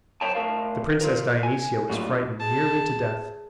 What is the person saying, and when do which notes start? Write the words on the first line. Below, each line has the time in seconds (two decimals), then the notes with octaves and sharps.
The princess Dionysia was frightened nearly to death.
0.21 F#2 C5 C#5 G5 A5
0.33 A2 A#4 F5 A5
1.01 F4 A#4
1.43 G#5
1.90 F#3 G3 A3 A#3 F4
2.40 G#4 A5